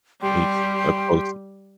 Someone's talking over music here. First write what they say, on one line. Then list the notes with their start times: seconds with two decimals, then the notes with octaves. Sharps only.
he's a close
0.22 G3 G4 G5 C6